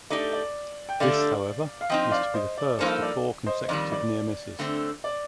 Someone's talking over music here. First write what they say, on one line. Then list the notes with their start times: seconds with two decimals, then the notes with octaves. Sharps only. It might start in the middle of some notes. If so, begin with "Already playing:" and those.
This, however, was to be the first of four consecutive near-misses.
0.10 A3 D#4 G4 D5
0.33 D5
0.89 G5
1.00 D3 A3 D4 G4 D5 F5
1.81 F5
1.90 F3 C4 D#4 D#5 G5
2.12 D5 F5
2.34 C5 D#5
2.58 D5
2.79 G2 F3 A#3 D#4 A4 C5
3.02 D5
3.46 C5 D#5
3.68 F2 D#3 G3 D5
3.92 D5
4.59 D3 A3 C4
5.04 D5